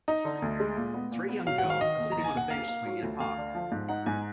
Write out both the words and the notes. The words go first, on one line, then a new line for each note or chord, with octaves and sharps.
Three young girls are sitting on a bench swing in a park.
D#4 D#5
D3
D2
G#3
A#2
B3
A#2
B3
F#3 F5
F#5
D#3
F5
D#3 D#5
D#2
D#2 A#5
G#5
D#2 F#5
A#3 F5
A#3
F#3
D2
D2 F5
D3
F3
G#2
D#4 F#5
G#2 G#5